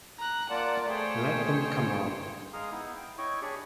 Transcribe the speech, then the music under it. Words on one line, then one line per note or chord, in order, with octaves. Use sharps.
Let them come on.
A#5 F#6
A#3 F4 D5 F#5 A5
A3 G#4 C5 C#5 G5
G#3 G#4 F5 A#5 D#6
B3 D#4 E4
G5
E4 C#5 D#5 G5 C#6
D4 G4 G#4 C#5 D5